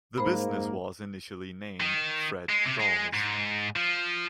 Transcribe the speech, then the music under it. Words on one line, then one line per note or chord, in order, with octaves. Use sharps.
The business was initially named Fred Dawes.
G#2 A#3 C5 B5
D#3
G#3
C3
G#3
G#2
F3